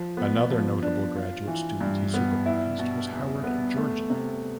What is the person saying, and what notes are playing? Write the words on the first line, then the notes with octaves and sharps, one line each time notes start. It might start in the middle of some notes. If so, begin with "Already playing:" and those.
Another notable graduate student he supervised was Howard Georgi.
Already playing: F3
B3
F3
D4
F4
E3
G2
B3
E4
B2
E2
B3
A3
C3